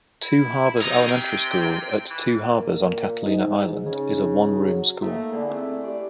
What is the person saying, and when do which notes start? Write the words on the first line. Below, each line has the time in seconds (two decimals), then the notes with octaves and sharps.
Two Harbors Elementary School, at Two Harbors on Catalina Island, is a one-room school.
0.22 E4
0.81 C3 D#4
1.09 G5
2.10 E3
2.51 A#2
3.23 G#2 D#4
3.86 C#3
4.65 F#3
5.02 A3 A#3 D#4 A#5
5.32 D3 D4 E4 G#4
5.49 A3 C4
5.84 G4 D5